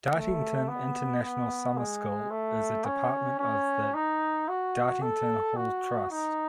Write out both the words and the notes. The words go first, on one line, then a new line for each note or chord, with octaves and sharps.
Dartington International Summer School is a department of The Dartington Hall Trust.
A3
B3
B3
G#3
A3
C#4
C#4
D#4
F#4
A4
F#4
D#4